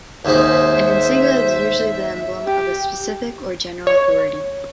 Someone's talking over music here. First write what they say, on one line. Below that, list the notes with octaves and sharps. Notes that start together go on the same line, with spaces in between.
An insignia is usually the emblem of a specific or general authority.
D#2 G#2 D#4 C5 E5
G4
C#5